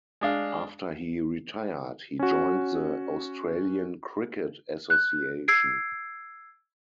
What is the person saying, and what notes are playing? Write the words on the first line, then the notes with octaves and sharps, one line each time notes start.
After he retired, he joined the Australian Cricket Association.
G#3 D4 F5
C#4 F#4
F#6
E6 G#6 C7 D7